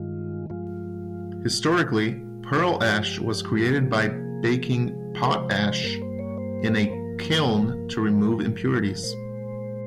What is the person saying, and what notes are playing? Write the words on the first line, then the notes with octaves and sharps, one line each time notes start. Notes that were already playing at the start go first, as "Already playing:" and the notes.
Historically, pearl ash was created by baking potash in a kiln to remove impurities.
Already playing: G2 D#3 G#3 F4
G2 F3 G#3 F4
A#2 G#3
G2 F3 G#3 G#4
G4
F4
G4
C3 F3 A#3 G#4
G4
G#4
C3 F3 G#3
A#4
C5
G2 G3 A#3 A#4
C5
C#5
C5
G2 F3 A#3 A#4
G2 F3 G#3
A#2 G#3 C5